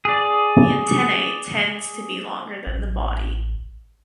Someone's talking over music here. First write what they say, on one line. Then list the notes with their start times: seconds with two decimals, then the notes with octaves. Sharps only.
The antennae tends to be longer than the body.
0.05 G#4 D5
2.67 A1